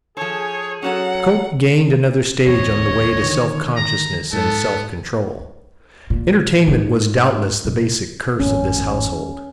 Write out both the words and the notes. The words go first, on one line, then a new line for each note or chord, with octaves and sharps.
Cope gained another stage on the way to self-consciousness and self-control. Entertainment was doubtless the basic curse of this household.
F3 G#4 A4 C#5
F#3 C#4 F#4 A4 F#5
D1 E2 C4 C#5 D#5
D3 D#3
A#5
G#2 B3 A4
A#2
G#2 A3
B2
G#1 F2 A2 C#4